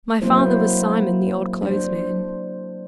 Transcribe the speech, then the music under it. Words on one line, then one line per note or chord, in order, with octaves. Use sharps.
My father was Simon the old clothes-man.
F#3 A#3 C4 E4 C5
D4 C5